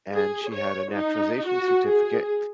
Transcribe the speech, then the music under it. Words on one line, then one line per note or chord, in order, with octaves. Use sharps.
and she had a naturalization certificate,
G#4
C#5
D#4
F#4
G#4